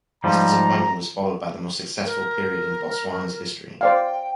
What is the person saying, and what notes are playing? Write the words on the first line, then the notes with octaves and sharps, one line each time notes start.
This disappointment was followed by the most successful period in Botswana's history.
G#2 F3 G3 A#5
A#4
C5 D5 F5 G5